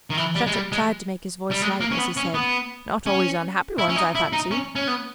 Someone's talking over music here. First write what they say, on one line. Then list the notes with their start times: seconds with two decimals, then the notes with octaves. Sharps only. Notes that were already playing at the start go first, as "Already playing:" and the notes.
Shattuck tried to make his voice light, as he said: "Not always unhappy ones, I fancy."
0.10 D#3
0.17 E3
0.35 G3
0.47 G#3
0.53 G3
0.72 G#3
1.51 G3
1.62 G#3
1.80 A#3
1.91 C#4
1.98 B3
2.17 C#4
2.34 B3
3.06 C#4
3.78 E4
3.89 C#4
3.96 D#4
4.15 E4
4.33 D#4
4.51 C#4
4.76 C#4
4.87 B3